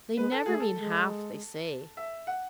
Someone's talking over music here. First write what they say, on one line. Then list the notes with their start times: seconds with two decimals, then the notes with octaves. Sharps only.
They never mean half they say.
0.17 G#3 B4
0.31 A4
0.46 A3 G#4
0.60 A4
0.78 G#3
1.97 E5
2.27 F#5